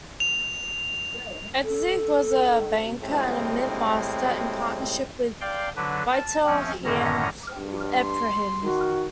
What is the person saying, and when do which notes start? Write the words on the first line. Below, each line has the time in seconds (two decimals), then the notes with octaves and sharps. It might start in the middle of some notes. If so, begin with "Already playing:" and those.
Itzig was a banker and a mintmaster in partnership with Veitel-Heine Ephraim.
0.20 F7
1.63 A4
3.02 A2 G3 G#3 C4
5.41 D5 F5 G5 C6
5.76 D3 F#3 D4 B4
6.11 A5
6.46 F3 C4 C#4
6.84 F#2 A2 D3 D#3 C#4 A#5
7.57 G2
8.00 C6
8.63 D#3 F#4